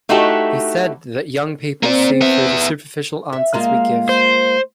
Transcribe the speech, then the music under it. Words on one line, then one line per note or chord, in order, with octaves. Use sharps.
He said that young people "see through the superficial answers we give".
A3 D#4 E4 F#4 G4 A4
A#3 C4 D5
B3 E5
E5
G#3 A#3 F4
C5